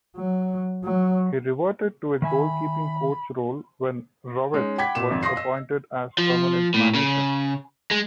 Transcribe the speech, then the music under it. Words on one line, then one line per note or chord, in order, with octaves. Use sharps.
He reverted to a goalkeeping coach role when Rowett was appointed as permanent manager.
F#3
F#3
D#3 E5 G#5 B5
G#3 C#4 D#4
F#5 G5 B5 D6 G#6 B6
A#2 D6 E7
G#1 F2
F5 C6 D#6 A#6 C7
D#5 E6
F3
A2
C#3
G#3